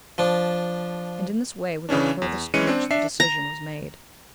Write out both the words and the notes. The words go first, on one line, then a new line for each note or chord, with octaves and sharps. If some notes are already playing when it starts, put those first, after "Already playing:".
And in this way, without further speech, the decision was made.
F3 D4
C#3 E3 C#4 D4
E2
E3 G#3 C#4 C#7 D#7
C4 D4
D4 E5 C7
A#5